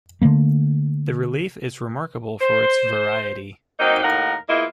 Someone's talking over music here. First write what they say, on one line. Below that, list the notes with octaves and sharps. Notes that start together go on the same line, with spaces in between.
The relief is remarkable for its variety.
D3 D#3 A3 A#3
C5
F#3 A#3 C4 D#4
D#2 A2 D#4 A#4 F5 F#5
E2 A#3 E4 F4 D#5